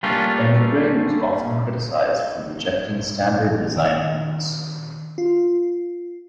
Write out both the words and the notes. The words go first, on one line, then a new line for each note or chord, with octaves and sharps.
Emigre was often criticized for rejecting standard design rules.
G3 A3 A#3 C#4 D4 F4
D#3
F4